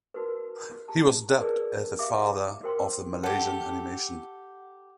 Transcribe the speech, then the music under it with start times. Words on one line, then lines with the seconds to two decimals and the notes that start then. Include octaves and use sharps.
He was dubbed as the "Father of the Malaysian animation".
0.14 D#4 F#4 A#4 B4
0.88 G4 A5 A#5
1.39 D#4 G#4 A#4 B4 D5
1.99 G4 E5 F5 D6
2.63 F#4 A#4 C5 G5 B5 C6
3.24 G4 A4 F#5